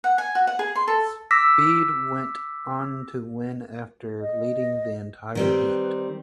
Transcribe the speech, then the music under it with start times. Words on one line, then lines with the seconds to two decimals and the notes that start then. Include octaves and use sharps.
Speed went on to win after leading the entire heat.
0.04 F#5
0.18 G#5
0.35 F#4
0.47 F#5
0.59 G#4
0.75 C6
0.88 A4
1.31 D6 E6 A#6 B6
4.21 D#5
5.35 D#3 G3 C4 B4